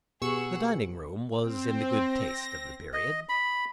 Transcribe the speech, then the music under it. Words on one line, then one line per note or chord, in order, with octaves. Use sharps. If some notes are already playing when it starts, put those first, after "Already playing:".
The dining-room was in the good taste of the period.
B2 B3 G4 G#4 F#5 C#6 E6
C4
A#6
D#5
B5